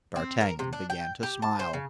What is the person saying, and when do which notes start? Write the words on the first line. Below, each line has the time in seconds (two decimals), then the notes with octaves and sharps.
D'Artagnan began to smile.
0.16 C4
0.41 A#4
0.59 C3
0.73 D4
0.90 G5
1.23 G4
1.42 A5
1.59 C5
1.73 C#3